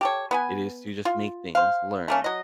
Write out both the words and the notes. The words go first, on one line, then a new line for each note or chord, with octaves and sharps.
It is to just make things, learn,
G4 A4 C#5
B3 B4 G#5
F4
C5 F5
A3 A#3 C#4
F#3 D#5